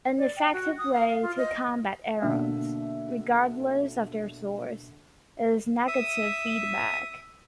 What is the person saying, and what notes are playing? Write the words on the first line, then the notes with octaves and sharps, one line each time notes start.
An effective way to combat errors, regardless of their source, is negative feedback.
D5
G5
F#4
D#6
F5
F5
F4
D#5
B2 D3 A#3 D4 E5
E5 D#6